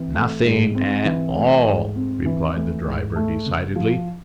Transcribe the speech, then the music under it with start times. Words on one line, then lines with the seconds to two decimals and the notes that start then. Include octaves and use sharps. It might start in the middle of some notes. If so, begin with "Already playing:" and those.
"Nothing at all," replied the driver, decidedly.
Already playing: E3 C4
0.14 A3
0.44 G#2
0.75 C4
1.05 E3
1.35 A3
1.65 G#2
1.96 C4
2.26 E3
2.56 A3
2.86 G#2
3.16 A3
3.46 C#3
3.76 F3